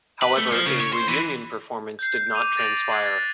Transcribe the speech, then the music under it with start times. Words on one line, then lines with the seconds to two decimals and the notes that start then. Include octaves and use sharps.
However, a reunion performance did not transpire.
0.22 B4
0.37 A3
0.52 F3
0.66 C#3
0.80 C#5
0.93 C5
1.08 E3
1.99 G6 C7
2.34 D6 D#7 F7
2.57 A6 A#6 D7 F7 F#7
2.90 F#6 G#6 C7 F#7
3.06 A6